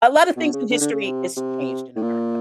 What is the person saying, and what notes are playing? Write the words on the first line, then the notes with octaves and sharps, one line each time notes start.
a lotta things in history has changed in America,
B2
C#3
D3
D3
C#3
C3
C3
A2
A#2